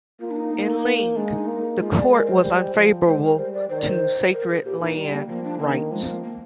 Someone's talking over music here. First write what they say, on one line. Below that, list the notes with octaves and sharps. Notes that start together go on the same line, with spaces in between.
In "Lyng", the Court was unfavorable to sacred land rights.
A#3 F4
D4
D#4
A#3
G#3 D4
D#4
A#3
G#3 F4
D5
A#4
C5
G3
F3
G#3 C5
A#4
G3 C5
D5
D#3 C5
D5
C5
A#4
G#4
A#2 G4
D#4
G3
A#3
F3 A#3
D4
D#3 A#3
F3 G#3
C4
A#3
A#3